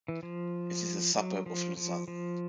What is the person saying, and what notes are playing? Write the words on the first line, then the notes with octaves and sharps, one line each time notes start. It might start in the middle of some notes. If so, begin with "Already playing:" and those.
It is a suburb of Lausanne.
E3
F3
F#3
F3
F3
F3